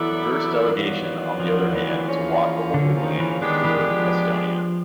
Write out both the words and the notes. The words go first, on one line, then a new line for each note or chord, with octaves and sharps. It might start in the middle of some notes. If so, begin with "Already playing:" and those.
The first delegation on the other hand to walk the Holy Land were Estonia.
Already playing: E3 F#3 B3 E4 A4 D5
D#3 F#3 B3 D4 F4
F3
E3
F3 A#3 C#4 F4 G#4
D3
D#3
E3
D#3 G#3 B3 D4 G4 B4
E3
E3
F3